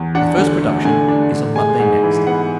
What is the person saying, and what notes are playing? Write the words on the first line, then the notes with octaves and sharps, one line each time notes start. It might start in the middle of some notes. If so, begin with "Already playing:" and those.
The first production is on Monday next.
Already playing: E2
D4 F#5
D3
A3
D3 G#5
D4
D3
G#3 G#5
G#2
E3
B3 F#5